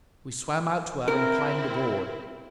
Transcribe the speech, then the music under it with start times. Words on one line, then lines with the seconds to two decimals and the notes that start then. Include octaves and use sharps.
We swam out to her and climbed aboard.
1.08 C4 E4 A#4